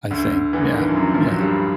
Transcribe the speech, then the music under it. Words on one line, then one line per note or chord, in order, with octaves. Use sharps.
I think. Yeah, yeah.
D2 D3
E2 E3
D3
D#3
E3
F3
F#2 F#3
F3
F#3
G2 G3